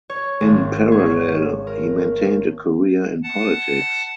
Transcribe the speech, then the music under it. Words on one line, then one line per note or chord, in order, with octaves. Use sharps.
In parallel, he maintained a career in politics.
C#5
G#1
C#5
A#4
F#5 A5